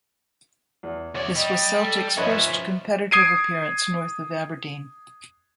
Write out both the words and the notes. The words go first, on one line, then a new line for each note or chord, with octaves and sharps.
This was Celtic's first competitive appearance north of Aberdeen.
E2
E2 C#5 D5
G3 D#5
A4
F3 C#4 B4 C#5 D#5 E5
D#6 G#6 C7 D7 D#7